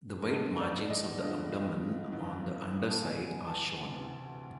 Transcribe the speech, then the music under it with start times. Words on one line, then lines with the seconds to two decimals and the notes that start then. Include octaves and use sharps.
The white margins of the abdomen on the underside are shown.
0.23 A#4
0.30 E2 B2 G#3 B3 A4
0.60 D5
0.90 D#5
1.21 G2 D3 F3 G#3
2.11 A1 G2 D#3
2.89 A5
3.02 E2 B2 G#3 B3 G#5
3.47 A5
3.92 D2 C3 E3